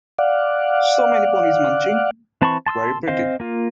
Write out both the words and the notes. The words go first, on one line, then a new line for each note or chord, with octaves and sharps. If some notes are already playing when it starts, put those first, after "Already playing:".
So many ponies munching; very pretty!
D5 F5 F#5
E3 C4 A5 B5 C#6
A5 C6 D#6 E6
C4 C5 D#5 F5
A#3 F4